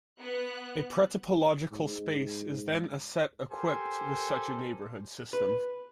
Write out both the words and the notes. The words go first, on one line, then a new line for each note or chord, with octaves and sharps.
A pretopological space is then a set equipped with such a neighborhood system.
B3 F#6
G#2
G4 A4 A#4 C5 G#5
B4